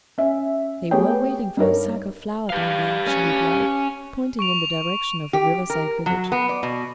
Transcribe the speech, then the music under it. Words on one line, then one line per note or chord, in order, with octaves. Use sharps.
"They were waiting for a sack of flour down there," she replied, pointing in the direction of the river-side village.
C#4 E5
A3 B3 G4 G#4 C#5 G5
G2 D#4 A#4 C#5
G4 B4 F5
C#4
C#6 D7 F7
G4
A#4
F#3
B3
D5
B2